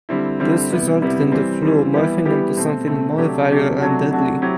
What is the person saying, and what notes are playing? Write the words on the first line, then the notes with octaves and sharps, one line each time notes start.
This resulted in the flu morphing into something more viral and deadly.
D3 G3 C4 E4
D3 G3 C4 E4
C3 G3 B3 E4
C3 G3 B3 E4
E3 G3 C4
E3 G3 C4
E3 G3 B3 E4 G4
E3 G3 B3 E4 G4
B2 A3 C4
B2 A3 C4
C3 F#3 A3 D4 G4
C3 F#3 A3 D4 G4
C3 F#3 A3 D4 F#4
C3 F#3 A3 D4 F#4
F#3 C4 E4 G4